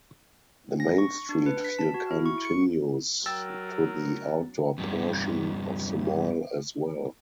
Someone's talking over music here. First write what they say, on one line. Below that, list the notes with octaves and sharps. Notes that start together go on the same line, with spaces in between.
The Main Street feel continues to the outdoor portion of the mall, as well.
A#6
C#6
D4
B4
B6
A5
F#4
E4
C#6
C#7
F#3 A#4 G5 E6 A6
E2 G2